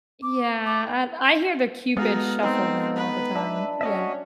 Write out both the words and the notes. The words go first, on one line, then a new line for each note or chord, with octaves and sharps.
Yeah, I I hear the Cupid shuffle now all the time, yeah.
D6
D6
G#3 B3 D#4 F#4 A4 F5 G#5
C4 D#4 G5
B4
D4 E5
C#4 F#4 D#5 E5